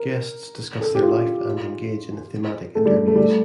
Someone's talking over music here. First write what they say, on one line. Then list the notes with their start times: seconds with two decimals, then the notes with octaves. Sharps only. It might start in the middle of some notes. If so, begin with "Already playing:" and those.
Guests discuss their life and engage in thematic interviews.
Already playing: A#4
0.81 A4
0.95 G4
1.02 F4
2.75 A3
2.85 G3
2.97 G3
3.07 A3
3.16 G3
3.23 A3